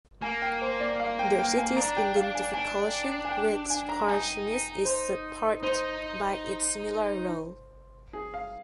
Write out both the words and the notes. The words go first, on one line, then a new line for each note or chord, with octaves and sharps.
The city's identification with Carchemish is supported by its similar role.
A#3 G#5
G5
C5
D5
F5
G5
G5
G#5
D4 A#5
G5
F5
G#5
D4 G#5
G#5
G5
G#5
A#5
D#4 G#5
C5
D#4 C5
G#4
F5